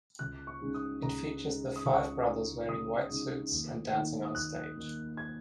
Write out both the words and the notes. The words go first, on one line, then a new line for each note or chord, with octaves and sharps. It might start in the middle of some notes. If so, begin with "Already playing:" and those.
It features the five brothers wearing white suits and dancing on a stage.
C#2 F#6
C#6
C#3 G#3 D#4
D#6
C#2 A#5
C#3 G#3 D#4
D#6
C#2 C#6
C#3 G#3 D#4
C#2 D#6
C#3 G#3 D#4
D#2
D#3 A#3 D#4
D#6
D#2 F#6
D#3 A#3 D#4
G#6